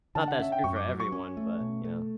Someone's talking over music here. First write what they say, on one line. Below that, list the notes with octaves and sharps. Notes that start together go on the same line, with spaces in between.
Not that it's true for everyone, but, you know,
D3 A5
F#5
C#4 E5
G5
F#2 C#6
D6
F#3
C#6
C#4
A3
B2
A3